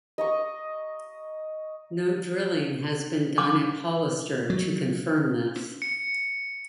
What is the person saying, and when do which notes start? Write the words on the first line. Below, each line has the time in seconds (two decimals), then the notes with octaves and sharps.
No drilling has been done at Hollister to confirm this.
0.18 D#5 A#5 C#6
3.38 D6
4.50 F#3
5.82 C#7